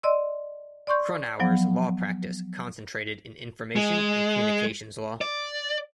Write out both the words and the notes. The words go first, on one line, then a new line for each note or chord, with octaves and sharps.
Cronauer's law practice concentrated in information and communications law.
D5 D#5 C6 E6
D5 C6 C#6 G6
F3 F#3 B3
G#3
D5